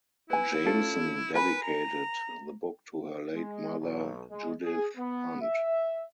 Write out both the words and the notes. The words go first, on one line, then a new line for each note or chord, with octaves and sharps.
Jameson dedicated the book to her late mother, Judith Hunt.
E4 B4 G#5
C#4 F4 A4
A#4 B4 G#5 B5
A#5
G#3
B1
G#3
G#4
B3
E5